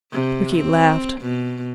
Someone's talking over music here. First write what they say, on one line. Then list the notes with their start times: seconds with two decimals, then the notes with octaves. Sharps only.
Rickie laughed.
0.12 C3
0.55 C4
1.21 B2